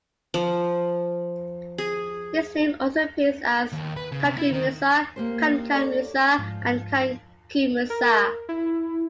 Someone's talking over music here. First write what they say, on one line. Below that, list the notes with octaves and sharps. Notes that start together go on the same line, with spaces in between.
His name also appears as Kankou Musa, Kankan Musa, and Kanku Musa.
F3
G#4
D#2
B4
C#3
C3
E4
D#3
A#3 G4 C5
A4 C#5 D5
G#2 F3
A#4
E4